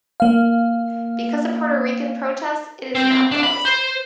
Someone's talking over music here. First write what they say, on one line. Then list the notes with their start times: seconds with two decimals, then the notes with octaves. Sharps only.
Because of Puerto Rican protests, it is now closed.
0.20 A#3 F5
2.95 C4
3.31 D4
3.43 B5
3.65 C5